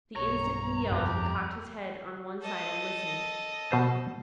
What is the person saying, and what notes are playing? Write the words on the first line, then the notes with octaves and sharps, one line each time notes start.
The instant he yelled he cocked his head on one side and listened.
B1 G2 C#5 A#5
F2 G4
A4 D#5
B2 C5 A5